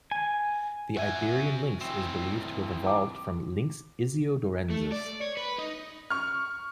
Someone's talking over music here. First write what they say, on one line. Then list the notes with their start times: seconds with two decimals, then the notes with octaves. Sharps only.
The Iberian lynx is believed to have evolved from "Lynx issiodorensis".
0.11 G#5
0.97 F#4 E5 G#5
1.81 E3 C4
2.86 D6
4.71 A3
4.93 D5
5.22 C#5
5.37 B4
5.58 D#4
6.10 C#6 F6